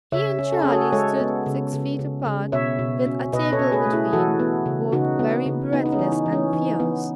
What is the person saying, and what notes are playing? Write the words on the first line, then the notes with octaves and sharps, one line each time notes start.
He and Charlie stood six feet apart, with a table between, both very breathless and fierce.
C#3 C#5 E5
C#4
A4
C#4 G#4
F#4 A4
G#3 A4 C#5
B3
C#3
C#3
C#3
C#3
B2 C#5 E5
B2
C#4
B2 B4 D#5
A4 C#5
C#4
G#4 B4
A3
E4 G#4
E3 F#4 A4
B3
C#3
C#3 D#4 F#4
B3
C#3
B3 D#4
D#4
C#4
E3
D#4
E3
C#4
E3 D#4
B3